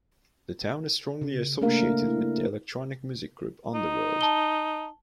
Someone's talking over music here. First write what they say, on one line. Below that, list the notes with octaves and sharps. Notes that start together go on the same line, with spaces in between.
The town is strongly associated with the electronic music group Underworld.
C#3
A3 A#3 D4 A#4 F5
E4
D#4
A5 G7